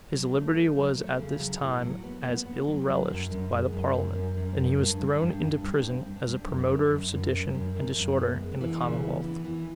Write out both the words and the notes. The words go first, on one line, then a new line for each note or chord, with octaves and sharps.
His liberty was at this time as ill relished by the parliament; and he was thrown into prison, as a promoter of sedition and disorder in the commonwealth.
F#3
A3
A3
F#3
A3
C#3
F#3
A2
F#3
B3
B3
B3
F#3
F#3
F#2
F#2
G#3
F#2
F#2
F#2
F#2
F#2
G2
G2
G2
G2
G2
C4
G2
G2
F#2
F#2
F#2
F#2
F#2
F#2
F#2
F#2
B3
G#3
E3
C#3
B3
E3
E3